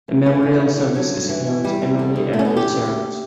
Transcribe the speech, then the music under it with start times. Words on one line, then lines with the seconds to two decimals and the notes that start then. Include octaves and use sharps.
A memorial service is held annually at the church.
0.08 D2
0.26 E3 C#4
0.43 E3
0.60 D3
0.77 D3
0.94 D3 F#3
1.13 G2
1.29 E3
1.46 E2
1.64 E2 G3
1.82 E2
1.99 D3
2.16 D3
2.33 D3 A3
2.39 C#4
2.45 B3
2.50 E2
2.57 G4
2.68 C#3
2.86 D2